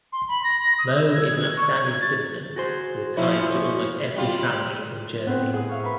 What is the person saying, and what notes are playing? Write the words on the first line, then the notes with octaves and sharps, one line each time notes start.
Mo is an upstanding citizen with ties to almost every family in Jersey.
C6
B5
A#6
D#6
E6
G#6
C#6
G#6
A6
F#4 G#4 C5
F3 C#4 E4
G3 F4
A2 B3 C4
G#4 F#5 D#6
E5 F5 C#6
A#4 B4